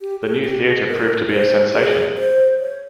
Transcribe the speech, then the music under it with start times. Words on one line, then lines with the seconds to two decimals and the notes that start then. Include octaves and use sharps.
The new theatre proved to be a sensation.
0.01 G4
0.23 G#4
0.44 G4
0.66 G#4
0.88 A#4
1.30 C5
1.73 G#4
2.17 C5
2.59 C#5